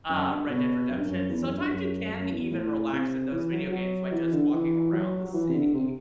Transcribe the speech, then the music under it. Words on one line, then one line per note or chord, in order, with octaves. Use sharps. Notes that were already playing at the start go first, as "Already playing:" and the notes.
uh, Red Dead Redemption, sometimes you can even relax in those video games by just walking around the city.
F#2
G2
B2
F#2
G2
F#2
E2
F#2
G2
F#2
F#2
E2
A2
C3
E3
F#3
F#3
E3
D3
E3
F#3
F#3
E3
C3
D3
C3